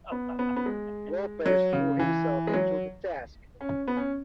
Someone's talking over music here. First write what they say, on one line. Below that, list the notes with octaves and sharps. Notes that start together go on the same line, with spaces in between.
Lopes threw himself into the task.
B3
B3
B3
G#3
F#3
C#3
E3
G#3
F#3
C#4
B3
C#4